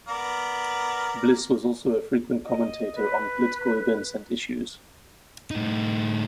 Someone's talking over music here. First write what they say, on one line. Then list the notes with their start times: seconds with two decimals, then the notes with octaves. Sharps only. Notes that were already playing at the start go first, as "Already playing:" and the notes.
Bliss was also a frequent commentator on political events and issues.
0.08 B3 A#4 D5
2.44 D#5
2.95 B4
5.51 A2 D#4